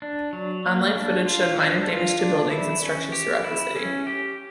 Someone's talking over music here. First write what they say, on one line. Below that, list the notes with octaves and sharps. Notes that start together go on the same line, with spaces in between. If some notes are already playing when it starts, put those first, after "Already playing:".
Online footage showed minor damage to buildings and structures throughout the city.
D4
F#3
A#3
D4
F4
D4
F4
D4
E4
C#4
G4
E4
C#4
G4